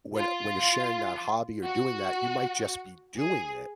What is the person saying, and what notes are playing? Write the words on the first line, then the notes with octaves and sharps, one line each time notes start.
when when you're sharing that hobby or doing that, you might just be doing it,
F4
F#4
G#4